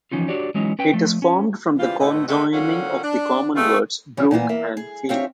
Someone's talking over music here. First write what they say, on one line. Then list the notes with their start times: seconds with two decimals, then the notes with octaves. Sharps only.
It is formed from the conjoining of the common words "brook" and "field".
0.12 E3 F3 C#4 D#4 F4
0.28 D4 F#4 G4 C#5 D5
0.55 E3 F#3 G#3 C#4 D#4 E4
0.79 C#4 B4 G5
0.93 F3 A3
1.22 C#4
1.79 C#3 E3 G3 C4 F4
2.00 A2 D3 A3 B3 D#5
2.28 D3 D#3 G#3 A3 B3
2.53 D3 D#3 F#3 C#4 F4 F#5
3.04 D4
3.56 B2 G3 A3 F4 G#4
4.17 F#2 C#3 E3 F#3 G3
4.31 A#2 E3 A#3 B3
4.49 E2 A#3 E5
4.77 G#4
5.09 C4 D4 G4 C#5 E5 F5